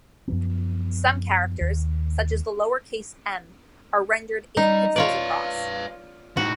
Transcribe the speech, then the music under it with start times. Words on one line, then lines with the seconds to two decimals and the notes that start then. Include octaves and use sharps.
Some characters, such as the lowercase "m", are rendered eight pixels across.
0.28 F#2 F3 B3
1.61 D#2
4.57 G3 D#4
4.96 F4 B4 C#5 D5 F5
6.37 A2 D#4 F#4